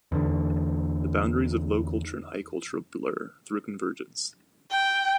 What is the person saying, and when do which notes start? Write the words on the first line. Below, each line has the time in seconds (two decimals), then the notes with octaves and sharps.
The boundaries of low culture and high culture blur, through convergence.
0.12 E2 D3
4.71 G5